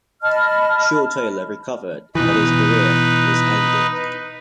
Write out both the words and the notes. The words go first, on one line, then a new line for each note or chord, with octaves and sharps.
Shawe-Taylor recovered but his career was ended.
D#5 A5 B5 F6
B2 E3 D#4 B4